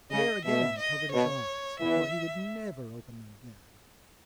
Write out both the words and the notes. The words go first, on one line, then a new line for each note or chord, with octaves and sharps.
Pierre again covered his eyes and thought he would never open them again.
C#3 D#5
B2 E5
D#5
B2 C#5
E2 E3 E5